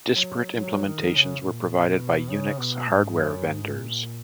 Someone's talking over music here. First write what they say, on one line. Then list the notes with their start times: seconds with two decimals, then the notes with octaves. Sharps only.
Disparate implementations were provided by Unix hardware vendors.
0.13 F#3
0.56 F#3
0.85 D#3
1.15 C#3
1.43 A#2
1.87 B2
2.30 C#3
2.59 B2
2.88 G#2
3.17 F#2
3.46 G#2
3.75 A#2